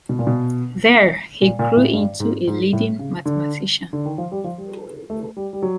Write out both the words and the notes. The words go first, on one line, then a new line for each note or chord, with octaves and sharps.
There he grew into a leading mathematician.
B2
A#2
B2
A#2
A#2
A2
G2
G#2
G#2
A2
C#3
D3
D3
D#3
F3
G3
F3
G3
A3
G3
G3
F#3